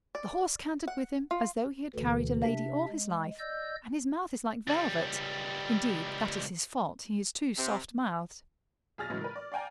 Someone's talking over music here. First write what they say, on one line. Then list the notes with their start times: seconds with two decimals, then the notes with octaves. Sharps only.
"The horse cantered with him as though he had carried a lady all his life, and his mouth is like velvet; indeed, that is his fault--he is too soft-mouthed."
0.15 D5
0.88 F#5
1.31 F4
1.95 D2 B2 D3 E3
2.44 C3 D4 E5
2.88 G#3
3.39 D5 D#5 E6 G6
4.68 C#2 G3
7.57 C3
8.98 B1 G#4 F6 A6 A#6
9.10 A2 C#3 E3 F#3 G#3
9.21 A#4 B4
9.36 D5
9.52 D5 F5 G5 G#5 A#5